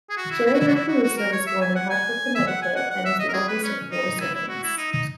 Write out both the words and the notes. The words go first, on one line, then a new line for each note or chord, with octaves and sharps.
Jerry Macaluso was born in Hartford, Connecticut and is the eldest of four siblings.
G#4
F#4
E4
E4
F#4
E4
F#4
E4
F#4
F#4
A#4
C#5
E5
G#5
F#5
G#5
E5
F#5
G#5
F#5
F#5
E5
D#5
A#4
G#4
B4
C#4
D#4
E4
E4
F#4
E4
D#4
D#4